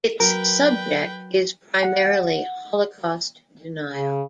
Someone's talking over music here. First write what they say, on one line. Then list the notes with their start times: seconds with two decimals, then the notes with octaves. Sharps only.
Its subject is primarily Holocaust denial.
0.20 F#3 A#4 B4 G5
1.82 F#5
3.90 C#3